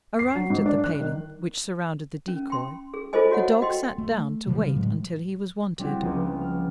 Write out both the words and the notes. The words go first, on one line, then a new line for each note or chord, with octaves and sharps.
Arrived at the paling which surrounded the decoy, the dog sat down to wait until he was wanted.
C7
F#3
G#2
D4
F#6
D#3
C#4
G5 C6
G#4
F4 G#4 A4 C5 D#5 G#5
F#4 C#5 D#5 F#5
F#4 D#5 G5 C6
A3
C#3 E3 F3 G3
A2 F#3 G#3
G3 C4 D4 E4 F#4 G4
C#2 F3 A#3 B3
F6